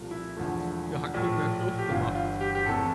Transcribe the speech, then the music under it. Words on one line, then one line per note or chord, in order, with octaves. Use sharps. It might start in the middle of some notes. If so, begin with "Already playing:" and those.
Sie hat mit mir Schluss gemacht.
Already playing: C2 A#2 F3 A3
E4
E1 E2 D3 F3 A3
A#1 A2 F3 A3
G4
G1 G2 E3 F4
F4
G4
G4
E2 C3 E3 A3 A4